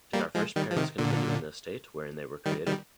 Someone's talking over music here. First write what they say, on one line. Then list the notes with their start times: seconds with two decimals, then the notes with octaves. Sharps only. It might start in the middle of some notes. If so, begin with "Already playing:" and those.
Did our first parents continue in the estate wherein they were created?
0.13 G3 A#3
0.35 F3 G#3
0.56 D#3 G3
0.71 F3
0.77 C3 D#3
0.98 A#2 D3
2.46 D#3 G3
2.66 D#3 G3